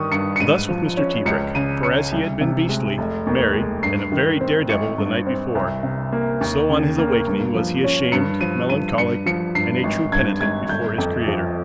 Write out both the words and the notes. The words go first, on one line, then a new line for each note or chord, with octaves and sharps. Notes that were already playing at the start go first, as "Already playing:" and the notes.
Thus with Mr. Tebrick, for as he had been beastly, merry and a very dare-devil the night before, so on his awakening was he ashamed, melancholic and a true penitent before his Creator.
Already playing: G2 D#3 C#6 D#6
G2 C#7
C#7
G#2 D#7
F3
C#4
C#2 C#7
C#3 D#7
C#4 C#7
C2
C3
G#3
F1
D#2
G#3
G2 C7
D#3
C4
G#1 C#7
G2
C4
C2
C3
A#3
D#2
C#3
A#3
G2
F3
C#4
G2 C#7
F3 D#7
G2 D#7
G2 C#7
F3 C#7
G2 C7
G#1
G2 G#6
G#1 G#6
G1 G6
F2
F3